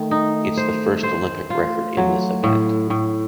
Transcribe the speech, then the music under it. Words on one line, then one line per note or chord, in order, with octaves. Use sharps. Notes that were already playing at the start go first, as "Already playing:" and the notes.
It’s the first Olympic record in this event.
Already playing: D#3 A3
D#4
C5
C5
A3 F4
F#3
A2
A2